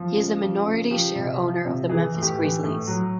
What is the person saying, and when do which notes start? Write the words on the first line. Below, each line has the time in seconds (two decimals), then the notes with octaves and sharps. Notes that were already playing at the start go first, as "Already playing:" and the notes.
He is a minority share owner of the Memphis Grizzlies.
Already playing: F3
0.17 C#3
0.41 F3
0.66 C#3
0.90 F3 G4
1.15 C3
1.40 F3
1.65 C3
1.89 E3 G#4
2.14 A2
2.22 G4
2.38 E3
2.63 A2
2.87 F#3